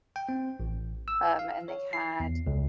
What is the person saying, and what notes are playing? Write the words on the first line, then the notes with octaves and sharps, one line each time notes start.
um, and they had,
G5
C4
A1
E6
F5
C#5
C7
E2
C#2